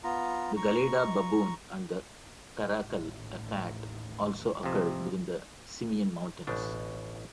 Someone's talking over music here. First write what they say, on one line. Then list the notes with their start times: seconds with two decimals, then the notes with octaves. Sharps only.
The gelada baboon and the caracal, a cat, also occur within the Simien Mountains.
0.04 B3 F4 A#5
0.57 A#5 C#6
2.56 A1 D#2 A2
4.63 F2 C3
6.47 A1 B2 D4